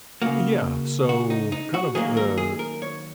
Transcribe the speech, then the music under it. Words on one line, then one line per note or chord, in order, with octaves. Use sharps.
Yeah, so, kind of the
C#3 A#3 F#4
F#4
D#4
D#4
F#4
D#3 F#3 A#3 G#4
A#4
G#4
A#4
C#5